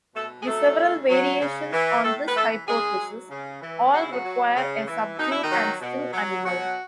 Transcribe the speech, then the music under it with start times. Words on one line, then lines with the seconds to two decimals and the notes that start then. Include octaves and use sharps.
The several variations on this hypothesis all require a subdued and still animal.
0.15 B2 A3 A4
0.41 G#4
0.46 F#3 A3 A4
0.78 C#3
1.09 F#3
1.41 C#3
1.72 E3
2.03 A2 A3 A4
2.26 B4
2.34 E3 A3 A4
2.66 C#3 G#3 G#4
2.98 F#3
3.30 C#3
3.61 E3
3.92 C#3 F#4
4.01 E4
4.12 F#3 F#4
4.24 F#3
4.55 C#3
4.87 E3
5.17 B2 D#4
5.30 E4
5.42 D#3 D#4
5.49 F#3
5.81 B2
6.12 F#3
6.43 B2 F#3 F#4